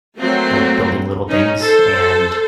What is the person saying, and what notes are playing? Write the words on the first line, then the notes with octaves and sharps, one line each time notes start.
like, building little things, and
F#3 A3 A#3 C4
C#4 D#4
A4 C5